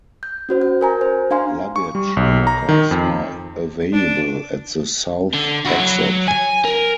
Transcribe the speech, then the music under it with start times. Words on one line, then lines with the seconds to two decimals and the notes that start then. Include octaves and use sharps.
Luggage lockers are available at the south exit.
0.23 G6
0.49 C#4 F#4 C5
0.62 G6
0.81 A#4 G#5 A#5
1.01 C5
1.31 D4 F5 G#5 C6
1.76 C#6
1.95 G3
2.17 B1
2.47 A#5
2.69 D#3
2.91 F2
3.93 D4
5.34 D3
5.65 E4 F#4
5.80 F#3
6.28 G#5
6.65 A#4